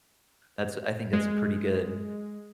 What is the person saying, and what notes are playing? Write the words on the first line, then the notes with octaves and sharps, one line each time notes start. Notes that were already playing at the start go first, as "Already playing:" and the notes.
That's I think that's a pretty good
G#3